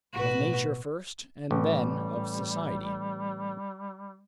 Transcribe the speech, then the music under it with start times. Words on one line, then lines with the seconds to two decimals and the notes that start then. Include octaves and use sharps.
Of nature first, and then of society.
0.14 A1 B2 F#4 B4
1.51 A1 G3